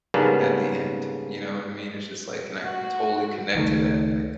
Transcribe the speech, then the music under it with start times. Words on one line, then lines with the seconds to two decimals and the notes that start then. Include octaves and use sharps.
at the end, you know what I mean? It's just like and I can totally connect to that, like,
0.14 G#2 C#3 G3 A#3 B3 D4
2.63 F#4
3.55 C#2 D#3 E3 A3